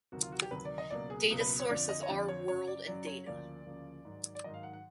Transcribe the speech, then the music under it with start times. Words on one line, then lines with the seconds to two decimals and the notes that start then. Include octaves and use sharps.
Data source is Our World in Data.
0.12 D2 C3 D#3 F#3 F#4
0.22 F4
0.32 F#4
0.42 G4
0.51 D2 C3 D#3 F#3 B4
0.65 D5
0.78 D#5
0.90 C#2 B2 F#3 A#3 D5
1.10 G#4
1.30 C#2 B2 F#3 A#3
1.40 B4
1.60 C#5
1.70 F2 D3 F3 D5
1.89 D#5
2.03 C#5
2.09 F2 D3 F3 D5
2.28 C#5
2.48 F#2 C#3 F#3 C#5
2.67 D5
2.87 F#2 C#3 F#3 D5
3.07 C#5
3.26 D2 C#3 F3 A#3 D5
3.66 D2 C#3 F3 A#3
4.05 G#2 D#3 F#3
4.35 D5
4.44 G#2 D#3 F#3 D#5
4.54 F5
4.63 F#5
4.73 F#5